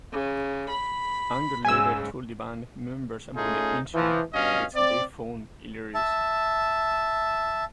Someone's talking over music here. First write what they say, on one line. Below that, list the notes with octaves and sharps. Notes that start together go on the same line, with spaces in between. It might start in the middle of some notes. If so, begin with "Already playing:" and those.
Ungerleider told the band members about the incident, which they found hilarious.
C#3
B5
G#2 C#3 G#5 E6
A3 C#4 D#4 F4 G#4
E3 F3
G2 B2 C#4 D#5 F5
C4 D5
E5 A5